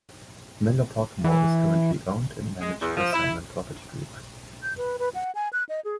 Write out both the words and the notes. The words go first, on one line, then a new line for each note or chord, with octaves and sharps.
Menlo Park Mall is currently owned and managed by Simon Property Group.
E3
G#3
E2
F3
E4
G6
B4
B4
F#5
G#5
F#6
D#5
G#4